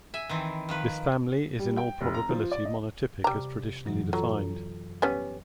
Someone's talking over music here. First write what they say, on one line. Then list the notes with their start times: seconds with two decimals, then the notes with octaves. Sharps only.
This family is in all probability monotypic as traditionally defined.
0.14 E5 G#5
0.29 D#3 E3 C4
0.69 D#3 F3 B4
1.59 G3
1.77 G5
2.01 F1
2.14 A#5
2.29 F3
2.51 D5
2.65 D#5
3.24 C3 G3 A#5 D6
3.85 F#2 E3 F#3
4.13 F#3 F4 A4 A#5
5.02 G3 B3 C#4